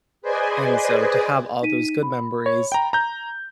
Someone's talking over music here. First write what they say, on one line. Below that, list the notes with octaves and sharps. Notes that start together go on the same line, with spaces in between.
And so, to have all those good memories
G#4 B4 C5 D5 D#5 G#5
D#4 B6 D#7
B5
C#5
G5 A#5
A#5 G6